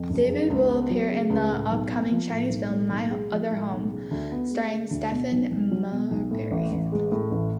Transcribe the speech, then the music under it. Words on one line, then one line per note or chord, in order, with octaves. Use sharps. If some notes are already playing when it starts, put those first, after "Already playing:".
Davis will appear in the upcoming Chinese film "My Other Home" starring Stephon Marbury.
Already playing: F2
F#1
C#3
C#2
B3
F#3
C#3
C#2
A2
B1
B3
F3
A2
B1
A2
B1
G#3
F3
A2
B1
C#3
D2
B3
G#3
C#3
D2
B2
B1
B1
F#3
B2
B1
A2
A1
A1
G#3
A2
A1